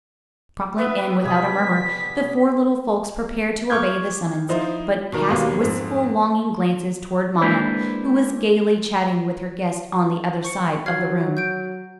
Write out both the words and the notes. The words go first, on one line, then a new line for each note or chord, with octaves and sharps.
Promptly and without a murmur the four little folks prepared to obey the summons, but cast wistful longing glances toward mamma, who was gayly chatting with her guests on the other side of the room.
B3 B4 E5
C3 G3 B3 G#5 D#6 B6
C#6 D6 F6 G6 G#6
F3 D#4 E4 C5
B2 D#3 A#4
D#2 B2 G3 A#3 B3
F2 G#2 C4
G#3 A#3 D4 E4 B4 C5
C5 C#6 C#7
F#3 F6 G#6 C7
G6 D7